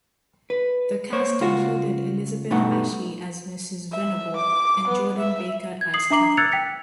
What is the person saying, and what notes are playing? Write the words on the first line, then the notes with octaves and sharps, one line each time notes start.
The cast included Elizabeth Ashley as Mrs. Venable and Jordan Baker as Catharine.
B4
A#3 C5 C#5
C#2 F4 F#4
G2 B2 A3 D#4 F#5
E5
D6
B3
E5
G#6
D#6 C7 F#7
D4 E5 A#5 D6 C7 F#7
E6 F#6 G#6 A6 C#7 F7
G5 B6 C#7